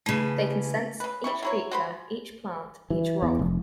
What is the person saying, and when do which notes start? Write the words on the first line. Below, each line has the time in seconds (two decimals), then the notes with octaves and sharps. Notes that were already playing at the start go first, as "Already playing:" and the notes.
They can sense, each creature, each plant, each rock.
0.06 C#3 E3 A3
1.00 C#3 B4
1.24 G3 E4 C#6
1.43 F#3 E4 C#5
1.71 F#4 C5 B5
2.90 E3
3.23 E2
3.39 F1